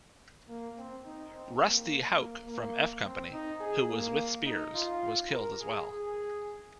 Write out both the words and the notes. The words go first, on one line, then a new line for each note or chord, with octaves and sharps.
"Rusty" Houck from F Company, who was with Speirs, was killed as well.
A#3
C4
D#4
C4
A#3
A#3
A#3
C4
D#4
G#4
A#3
D#4
F4
A#4
G#4
G#4